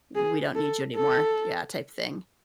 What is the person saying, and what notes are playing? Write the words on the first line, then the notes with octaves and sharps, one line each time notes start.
"We don't need you anymore," yeah, type thing.
G#4
A4
A4